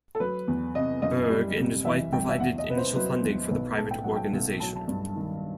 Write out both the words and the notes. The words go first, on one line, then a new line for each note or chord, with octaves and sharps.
Bergh and his wife provided initial funding for the private organization.
A4
F#3 B4
E2
C3 D#5
F#1 D#5
G3
C3
E3 E5
C2 G5
E5
E2 F#5
D#5
C3 B4
C5
F#3 B4
E2
B1 B4
A2 A5
G5
F#3 F#5
G5
B1
F#3 A5
A5
G2
D#3